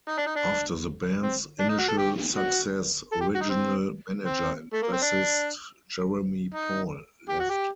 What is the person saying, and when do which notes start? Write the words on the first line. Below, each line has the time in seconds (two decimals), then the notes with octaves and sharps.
After the band's initial success, original manager and bassist Jeremy Paul left.
0.09 D#4
0.18 D4
0.27 D#4
0.36 D4
1.22 C4
1.59 D4
1.69 D#4
1.79 F#4
1.88 A4
1.98 G4
2.36 F#4
3.12 A4
3.21 G4
3.35 F#4
3.41 D#4
3.50 C4
4.26 C4
4.73 A3
4.83 A#3
4.93 C4
5.02 D4
6.54 D#4
7.29 G4
7.40 F#4
7.50 G4